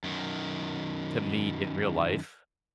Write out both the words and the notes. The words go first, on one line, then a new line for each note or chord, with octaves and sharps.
to meet in real life.
F#2 D#3